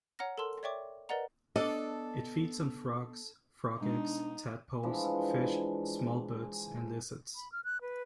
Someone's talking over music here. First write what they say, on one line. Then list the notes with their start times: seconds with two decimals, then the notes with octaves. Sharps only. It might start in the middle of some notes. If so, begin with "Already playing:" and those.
It feeds on frogs, frog eggs, tadpoles, fish, small birds and lizards.
0.19 C#5 F#5 A#5 F6 A#6
0.38 A4 A#4 A5 C6 E6
0.63 C#5 D5 E5 G5 C#6 D6
1.09 A#4 B4 D5 D#5 F#5 A#5
1.56 B3 D4 A4 D#5
3.80 B2 G#3 D4 D#4 F5
4.83 E3 F3 G#3 D4
7.36 B5
7.52 F6
7.64 F#6
7.81 B4